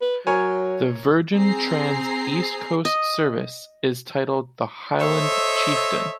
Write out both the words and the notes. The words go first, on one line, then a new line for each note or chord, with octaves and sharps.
The Virgin Trains East Coast service is titled 'The Highland Chieftain'.
B4
F#3 A#4 C#5 G#5
C4 G#4 A#5 C7
D#5
A4 C5 C#5 D#5 E5